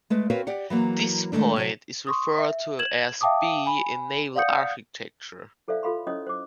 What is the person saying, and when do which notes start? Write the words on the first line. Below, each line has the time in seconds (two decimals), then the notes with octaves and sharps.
This point is referred to as B in naval architecture.
0.10 G#3 A3 B4
0.30 C4 F#4 A#4 B4 C#5 F5
0.47 G4 D5 F#5
0.70 E3 F#3 A#3
1.32 D#3 G#3 A3 D4
1.56 C3 F#3 C#5
2.07 C6 C#6 D#6
2.39 E5
2.79 G#6 E7 F#7
3.21 E5 F5 G5 A5 D6 D#6
3.66 G#5 B5
4.35 D5 F5 F#5 D#6 G6 C#7
5.68 E4 A4 C5 D5 E5 F5
5.83 F4 A4 F5 B5 C6
6.07 C#4 E4 C5 C#5 D#5 D#6
6.27 C5 D6